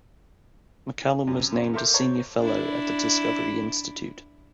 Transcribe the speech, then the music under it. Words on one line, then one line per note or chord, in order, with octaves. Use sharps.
McCallum was named a senior fellow at the Discovery Institute.
F#2 C3
A4 A#4 E5 C6 D6 G6
C5 C#5 A5 A#5
D4 E4